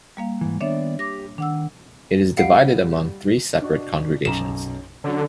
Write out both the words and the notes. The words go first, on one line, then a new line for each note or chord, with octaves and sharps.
It is divided among three separate congregations.
G3 A#3 F5
G#2 E3
D#3 B3 D4 C#5 D5 E5
G4 D6 A#6
D#3 D4 F#5 E6
G3 D#5 F5 F#5 C7 D7
D4 F#4 D#5
B1 F#2 A#5 E7
D3 F#3 C#4